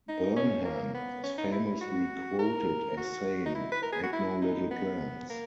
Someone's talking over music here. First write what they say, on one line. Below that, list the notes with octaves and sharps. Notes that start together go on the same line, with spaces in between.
Burnham is famously quoted as saying, Make no little plans.
D#4
C#4
A#3
B3
C#4
D#4
E4
E4
F#4
A#4
F#4
D#4
E4
B4
A#4
G#4
F#4
E4
D#4
B3
A#3